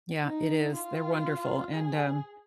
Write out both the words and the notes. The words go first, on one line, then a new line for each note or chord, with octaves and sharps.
Yeah. It is. They're wonderful, and, um,
D#4
F4
G#4